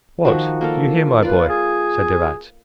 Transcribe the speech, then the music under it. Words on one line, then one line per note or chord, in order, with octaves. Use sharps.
"What! you here, my boy?" said the rat.
D#3 F3 F#4
A#3 A4 A#4
F4 B4 D5
G#4